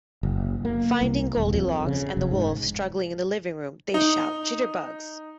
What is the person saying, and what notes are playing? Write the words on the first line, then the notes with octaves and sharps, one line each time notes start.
Finding Goldilocks and the wolf struggling in the living room, they shout Jitterbugs!
F#1
A#3
C2
D#1
F2
C#3
F1
G#2
D#4